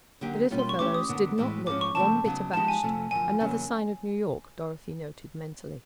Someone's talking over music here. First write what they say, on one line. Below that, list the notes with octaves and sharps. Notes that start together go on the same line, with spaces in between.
The little fellows did not look one bit abashed--another sign of New York, Dorothy noted mentally.
D3 F#3 A#3 D#4 G4
B2 G3 A#3 C#4 F4
C6
C#6
E3 A3 C#4 E4 G4 D6
D#6
F#2 D3 F#3 B3
A2 E3 G#3
G#2 F3 G#3 C#4 D6
C#6
F2 C#3 F3 A3 C4 A5
C#3 F#3 B3 D#4
F3 G#3 B3 D#4 G4 A5
G#5
F2 C3 F3 A3
F#2 D3 F3 G#5
E2 C#3 F#3 A#3 C#4